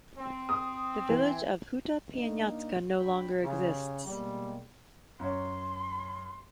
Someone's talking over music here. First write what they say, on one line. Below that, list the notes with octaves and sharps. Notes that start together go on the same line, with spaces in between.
The village of Huta Pieniacka no longer exists.
C4
D#6
E3
A#3 D4 D#4
D4 G5 B5
C#3 G4
B2 G3 G#3 A#3
F#2 C#5 C6